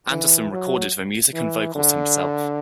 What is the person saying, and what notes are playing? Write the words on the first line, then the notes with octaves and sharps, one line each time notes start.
Anderson recorded the music and vocals himself.
E3
F#3
E3
D3